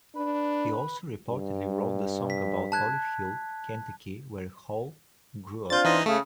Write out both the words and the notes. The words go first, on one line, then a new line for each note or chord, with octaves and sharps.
He also reportedly wrote the song about Olive Hill, Kentucky, where Hall grew up.
D4 B4
G2
B6
A5 F#6 G#6
C4 D4 F4 G6 A6
E3 D#4 D#5
C#3 A3